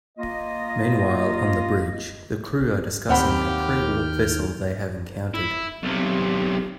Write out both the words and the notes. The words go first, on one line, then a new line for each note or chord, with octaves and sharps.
Meanwhile, on the Bridge, the crew are discussing a pre-warp vessel they have encountered.
A#3 F4 D#5
D#2 C4 G4 F#5 G5 B5 F6
E4
B1 C3